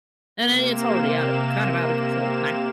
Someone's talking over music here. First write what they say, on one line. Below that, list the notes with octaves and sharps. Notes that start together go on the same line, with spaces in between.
and then it's already out of kind of out of control now.
C3 A#3 E7